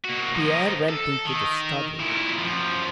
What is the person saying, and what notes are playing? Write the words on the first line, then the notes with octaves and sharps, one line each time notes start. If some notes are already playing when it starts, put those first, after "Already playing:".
Pierre went into the study.
A#3 F#4
F3 D#4
A4
D#3
A#2 E4
F#2 F3